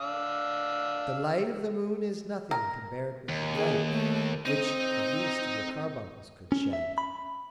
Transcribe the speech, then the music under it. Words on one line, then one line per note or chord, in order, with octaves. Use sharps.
The light of the moon is nothing compared with the light which the least of the carbuncles could shed.
D4 F5 E6
A#4
D#2
G#4
A3
C4 D#4 D#5
C#4
E5
B5